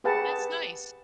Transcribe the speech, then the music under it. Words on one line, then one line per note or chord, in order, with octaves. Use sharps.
That's nice.
G4 G#4 B4 F#5 A5